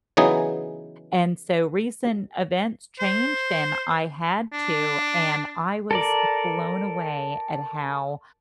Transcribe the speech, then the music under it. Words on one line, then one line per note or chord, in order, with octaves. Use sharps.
And so recent events changed and I had to, and I was blown away at how
C#3 E3 F#3 B3 D#4 G#4
C5
D4
A4 A#4 D5